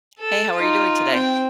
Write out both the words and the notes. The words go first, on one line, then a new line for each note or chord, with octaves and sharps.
Hey, how are you doing today?
A4
D#4 F4
C4 G5